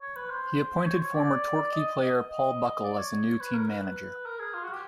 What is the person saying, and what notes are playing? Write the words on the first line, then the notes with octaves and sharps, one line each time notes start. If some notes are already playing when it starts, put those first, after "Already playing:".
He appointed former Torquay player Paul Buckle as the new team manager.
C#5
B4
C5
C#5
C#5
D5
D#5
D#5
D#5
D5
C#5
B4
A#4
B4
A#4
G#4
F4
F#4
G4